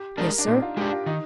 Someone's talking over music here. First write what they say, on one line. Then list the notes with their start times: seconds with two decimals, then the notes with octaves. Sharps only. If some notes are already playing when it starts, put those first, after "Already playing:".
"Yes, sir."
Already playing: G4
0.17 G#3 D4 A#4
0.38 D4
0.47 A#2 D#4
0.62 F4
0.77 G#3 D4 G4
0.92 F4
1.06 D#3 D#4